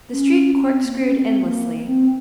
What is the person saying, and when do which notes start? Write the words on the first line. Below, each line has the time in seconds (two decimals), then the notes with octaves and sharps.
The street corkscrewed endlessly.
0.11 C#4
0.54 C#4
0.69 C4
0.84 A#3
0.99 C#4
1.14 C4
1.28 C4
1.42 A#3
1.86 C4